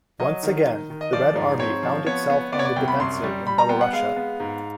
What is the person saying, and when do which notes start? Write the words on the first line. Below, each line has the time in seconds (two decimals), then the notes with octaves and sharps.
Once again, the Red Army found itself on the defensive in Belorussia.
0.20 F#3 D#5
0.43 D#3
0.66 D#3
0.90 D#3
1.01 D#5
1.13 F3 D5
1.36 G#2
1.59 C4 C#5
1.83 F3
2.06 B3 C#5
2.30 B3
2.52 B3 D5
2.59 C#5
2.65 D5
2.76 C2 G5
2.88 B5
3.00 F#2 C6
3.23 G3
3.46 G3 B5
3.58 A#5
3.69 B3 G5
3.81 F#5
3.93 G#3 F5
4.16 B3
4.40 G#2